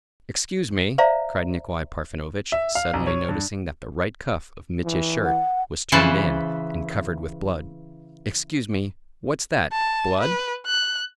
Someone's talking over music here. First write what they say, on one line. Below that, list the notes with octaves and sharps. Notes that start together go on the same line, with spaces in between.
"Excuse me," cried Nikolay Parfenovitch, suddenly, noticing that the right cuff of Mitya's shirt was turned in, and covered with blood, "excuse me, what's that, blood?"
C5 D5 E5 F5 A#5
E5
F5
B1
C#5
G2
E3
F#5
C#3 E3 E4 B4 C5 A5
A5
B4
F#6